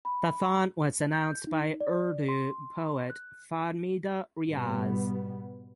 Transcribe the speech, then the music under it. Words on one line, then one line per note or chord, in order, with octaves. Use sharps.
The font was announced by Urdu poet Fahmida Riaz.
B5
G6
D#4
D5
C6
F#6
G#2 B2 G3 B3